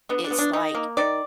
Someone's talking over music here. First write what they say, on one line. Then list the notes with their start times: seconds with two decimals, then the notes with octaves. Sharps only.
It's like
0.09 D3 B3
0.24 D4
0.31 F3 B3
0.39 D4
0.53 D#3 D#4
0.75 A#3
0.97 D#3 D5